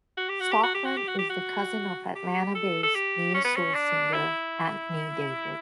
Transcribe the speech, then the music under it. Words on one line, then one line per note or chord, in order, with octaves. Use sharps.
Stockman is the cousin of Atlanta-based neo-soul singer Anthony David.
F#4
G4
F#4
G4
F#4
G4
F#4
G4
F#4
G4
F#4
G4
A4
A4
G4
C#4
B3
C#4
D4
E4